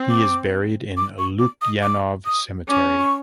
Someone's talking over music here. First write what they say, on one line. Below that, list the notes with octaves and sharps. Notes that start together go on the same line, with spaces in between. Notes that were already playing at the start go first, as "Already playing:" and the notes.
He is buried in Lukyanov Cemetery.
Already playing: C4
D6
D6
C#6
D6
D#6
D6
D#6
C#4 D6
C#6